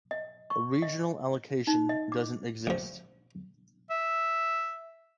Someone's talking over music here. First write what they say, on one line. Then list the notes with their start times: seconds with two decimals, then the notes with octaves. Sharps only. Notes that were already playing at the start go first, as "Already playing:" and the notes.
A regional allocation doesn't exist.
0.11 D#5
0.50 C#6
0.82 D#5
1.67 D#4
1.89 D#5
2.12 D6
2.67 A1 F3
3.90 E5